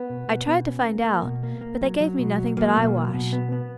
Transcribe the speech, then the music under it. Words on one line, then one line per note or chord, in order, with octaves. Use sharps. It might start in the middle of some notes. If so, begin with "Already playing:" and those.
I tried to find out, but they gave me nothing but eyewash.
Already playing: B3
B2
B2
B2
C#4
A#3
A#3
B2
A#3
A#3
F#3
F#3
B2
F#3
F#3 A#3
B2
F#3
B2
B3
B3